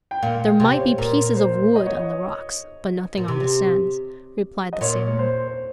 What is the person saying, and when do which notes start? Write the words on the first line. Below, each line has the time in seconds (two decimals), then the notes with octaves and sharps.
"There might be pieces of wood on the rocks, but nothing on the sands," replied the sailor.
0.11 G5
0.23 A#2 F5
0.41 G5
0.60 C3 G5
0.74 C5
0.79 C#5
0.98 A#2 A#4
1.37 C5
1.76 D#5
1.86 C#5
1.97 D#5
3.17 A#2
3.28 C3
4.73 D#5
4.81 A#2 C#5
5.19 C5
5.47 C5